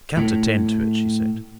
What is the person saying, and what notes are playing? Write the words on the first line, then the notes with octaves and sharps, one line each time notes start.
"I can't attend to it," she said.
A2